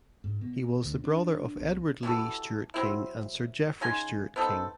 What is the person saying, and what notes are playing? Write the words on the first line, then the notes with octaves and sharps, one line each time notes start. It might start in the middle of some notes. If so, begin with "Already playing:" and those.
He was the brother of Edward Leigh Stuart King and Sir Geoffrey Stuart King.
G#2
B2
D2
D4
B1
E3 G3 F#4 A4
F#3 C4 E4
C#3 D#4 G#5 C6
B3 C4 D#4 A4